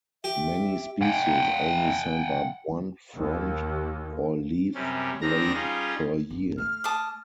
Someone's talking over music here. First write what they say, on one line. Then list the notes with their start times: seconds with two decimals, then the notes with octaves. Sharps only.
Many species only send up one frond or leaf-blade per year.
0.24 G4 E5
1.02 F#5 G5
3.15 D#2
4.75 F#2 C3 G3 C#4
5.21 E2 D#3 C4 D4 A#5 A#6
5.54 G3 C#4 D#4 F4 G#4
6.30 G1
6.58 A3 F6
6.84 A5 D6 D#6